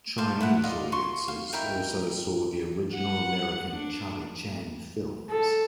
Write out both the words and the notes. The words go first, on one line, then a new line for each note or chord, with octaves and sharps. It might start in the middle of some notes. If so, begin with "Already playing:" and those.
Chinese audiences also saw the original American Charlie Chan films.
C5 F5 A5
E4 B4 F#5
D5 D#5 F5 C6
C6 C#6
F5
D#4 E4 A#4 G5
F#5
D4
A4